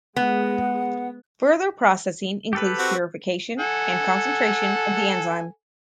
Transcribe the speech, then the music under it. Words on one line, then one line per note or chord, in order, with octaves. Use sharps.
Further processing includes purification and concentration of the enzyme.
G#3 B3 F#5
G4 A4 B4
C4 F#4
A4 F#5 G#5